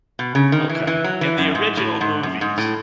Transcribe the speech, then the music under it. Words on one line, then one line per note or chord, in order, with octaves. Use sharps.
Okay. In the original movies,
B2
C#3
D#3
E3
E3
F#3
E3
F#2
G#2
A2
G#2
F#2
G#2
A2